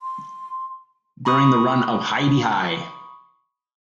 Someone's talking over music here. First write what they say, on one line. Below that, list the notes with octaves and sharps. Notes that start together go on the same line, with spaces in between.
During the run of Hi-de-Hi!
C6
A#5 B5 C#6 D#6